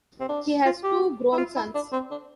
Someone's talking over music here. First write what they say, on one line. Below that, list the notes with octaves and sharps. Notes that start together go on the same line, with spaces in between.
He has two grown sons.
C4
D4
F4
G4
E4
F4
E4
D4
C4
D4